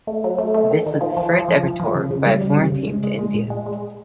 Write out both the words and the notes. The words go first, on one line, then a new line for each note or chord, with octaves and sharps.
This was the first ever tour by a foreign team to India.
A3
F#3
A3
A3
D#3
D#3
F3
F3
F3
F3
F3
F3
C#3
C#3
G3
G3
C#3
C#3
G#3
G#3
G#3
A#2
G#3
G#3